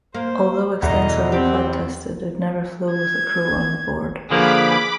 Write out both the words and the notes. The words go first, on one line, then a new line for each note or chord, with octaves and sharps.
Although extensively flight tested, it never flew with a crew on board.
A#3 C5
E2 B2 D3 E4 D#5 A#5
C4 G4
G#6
D3 F3 A#3 G#4 B4 B5 D6